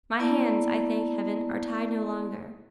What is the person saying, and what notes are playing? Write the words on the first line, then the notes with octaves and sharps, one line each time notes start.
My hands, I thank Heaven, are tied no longer.
A#3 B3 E4 D5 A5